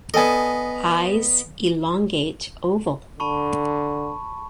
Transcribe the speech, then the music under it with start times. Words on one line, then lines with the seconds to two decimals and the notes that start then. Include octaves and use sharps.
Eyes elongate oval.
0.14 B3 A4 D5 D#5 G#5
3.20 D3 A5 B5 C#6